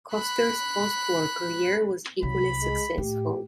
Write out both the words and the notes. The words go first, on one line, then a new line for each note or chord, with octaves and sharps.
Koster's postwar career was equally successful.
B5 F#6
C2 F#3 B5
G#3
A2 G4